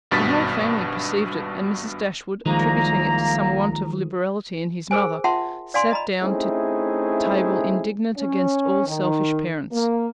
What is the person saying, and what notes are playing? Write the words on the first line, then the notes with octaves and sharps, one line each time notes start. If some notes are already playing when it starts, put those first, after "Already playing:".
The whole family perceived it, and Mrs. Dashwood, attributing it to some want of liberality in his mother, sat down to table indignant against all selfish parents.
G#1 G2 B2 A6 B6
C2 D#3 F3 G#3 A#3 A#5
G#4 A#4 C5 G#5
F4 E5 F#5 A5 C6
D5 F5 G#5 C6
D#5 A#5 B5
A3 C4 C#4 D#4 E4 G#4
C#4
D#3
A#3